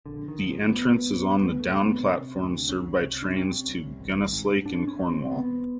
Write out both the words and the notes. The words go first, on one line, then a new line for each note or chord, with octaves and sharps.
The entrance is on the down platform, served by trains to Gunnislake and Cornwall.
A#1 D3
D#3
G#2
F3
G#2 B3
A#1
D2 B3
A3
C3
B3
C3 C#4
D2
C2 C#4
C3
D4
C3 C#4
C2
G#1
G#2
G#2 D4
D4
C#4
G#1
C4
E1 B3